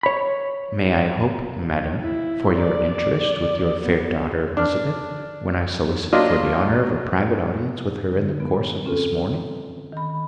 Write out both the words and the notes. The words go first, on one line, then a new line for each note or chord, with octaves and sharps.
"May I hope, madam, for your interest with your fair daughter Elizabeth, when I solicit for the honour of a private audience with her in the course of this morning?"
C#5 B5
E4
D5
B3
D4 F6
F#3 A#3 D4 F4 D#5
D3
B3
C4 C#4 F4 A4
D#3 B5